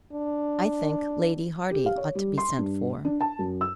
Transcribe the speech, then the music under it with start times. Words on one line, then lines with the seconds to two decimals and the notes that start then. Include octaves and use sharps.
"I think Lady Hardy ought to be sent for."
0.12 D4
1.71 G4
1.86 F5
1.98 C#5
2.15 G3
2.38 C6
2.58 G2
3.05 D4
3.21 A5
3.39 F#2
3.61 E6